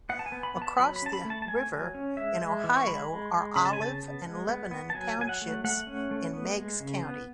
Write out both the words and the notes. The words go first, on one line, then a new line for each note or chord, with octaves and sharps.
Across the river in Ohio are Olive and Lebanon Townships in Meigs County.
B3 F#5
A5
G#5
B3
B5
B3
A5
F#3 B5
B5
C#4 A5
B5
A3
A5
A5
A3 G#5
F#3
C#4
G#3 E5
G#3
E3
C#6
G#3 B5
G#3
G#3
C#3 B5
A5
G#5
C#3 A5
B3
G#3
B3
B3
A5
F#3 G#5
F#3 G#5
F#5
A3
A3 F#5
C#4
A3
B3
G#3
C#3
B3